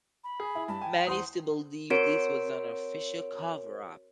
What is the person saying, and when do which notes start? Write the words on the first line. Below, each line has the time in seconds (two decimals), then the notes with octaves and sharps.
Many still believe this was an "official" coverup.
0.24 B5
0.40 G#4
0.55 E4
0.68 G2 A5 B5
0.81 G5 G#5
1.07 E2 C5 F#5 C6 D#6
1.90 C4 F#4 A#4 C#5 D7